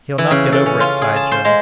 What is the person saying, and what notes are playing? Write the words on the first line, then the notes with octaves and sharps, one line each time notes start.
"He'll not get over it!" sighed Joe.
E3
C#3
A4
C#4
F4
G#4
A5
C5
G#3